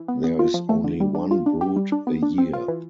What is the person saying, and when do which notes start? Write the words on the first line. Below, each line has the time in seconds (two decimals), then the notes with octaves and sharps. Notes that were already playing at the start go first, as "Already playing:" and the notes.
There is only one brood a year.
Already playing: E3
0.08 B3
0.24 B3
0.39 F4
0.54 F3
0.69 A3
0.84 D3
1.00 G3
1.15 D4
1.31 F4
1.46 D4
1.61 G4
1.76 G3
1.92 D4
2.07 B3
2.23 D4
2.38 C4
2.53 F4
2.68 E3